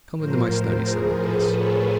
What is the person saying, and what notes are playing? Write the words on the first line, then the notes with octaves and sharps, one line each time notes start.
"Come into my study," said Nicholas.
A2 F3 A#4 C5
G#4 A#4
A4 B4
B4 C#5